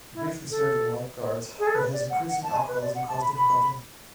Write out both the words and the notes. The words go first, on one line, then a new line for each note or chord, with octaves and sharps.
He briefly served in the Life Guards but his increasing alcoholism caused difficulty.
E4
A4
G#4
A4
B4
D5
F#5
F#5
A5
G#5
B4
D5
F#5
A5
B5
B5